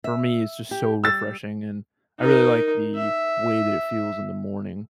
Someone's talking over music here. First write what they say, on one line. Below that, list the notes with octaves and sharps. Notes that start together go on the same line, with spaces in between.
for me, it's just so refreshing, and I really like the way that it feels in the morning,
E5
G4
G3 E6 A6
D#4 A#4
E5